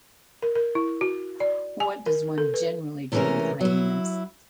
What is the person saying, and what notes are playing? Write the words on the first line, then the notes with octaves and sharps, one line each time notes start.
What does one generally do with hyaenas?
A#4
A#4
E4
F#4
D5
G#5
A#4
A4
B4
C3 E3 G#3 A3 C#4 A#4
F#3 E4